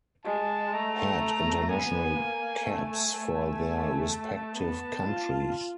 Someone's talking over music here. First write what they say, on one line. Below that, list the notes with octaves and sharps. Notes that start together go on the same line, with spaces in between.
Had international caps for their respective countries.
G#3 A5
A3 A#5
B3 G#5
A#3
A3 G#5
A3
A5
B3 A5
F4